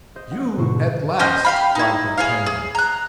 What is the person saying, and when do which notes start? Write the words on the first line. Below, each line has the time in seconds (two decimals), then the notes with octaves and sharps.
"You at last?" cried d'Artagnan.
0.16 C5 D#5 G6
0.31 F#5
0.56 G#2 B2 D3 C5 C#6
1.19 C#4 C5 D#5 F6
1.45 G4 F5 B5
1.75 D#4 E4
2.18 G#4 C#5 F5
2.46 G#4
2.75 A#5 F#6